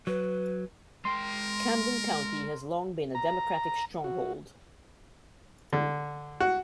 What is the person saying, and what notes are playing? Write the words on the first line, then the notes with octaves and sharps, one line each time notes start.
Camden County has long been a Democratic stronghold.
F#3 B4
G#3 A#4 G5 C6
A#5
F#4
D3
F#4